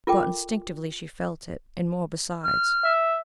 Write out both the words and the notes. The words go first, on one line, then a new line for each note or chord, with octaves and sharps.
But instinctively she felt it; and more besides.
F4 A4 A#4 G5 D6
F6
E5